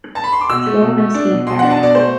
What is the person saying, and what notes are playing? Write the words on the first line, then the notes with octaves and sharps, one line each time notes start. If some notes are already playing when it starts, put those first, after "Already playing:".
Sloan and Steve Barri.
A5
B5
C6
D6
B2 E6
A3
B2
A3
D4
B2
B2 C6
D4 F#5
A5
B2 D5
A3 C5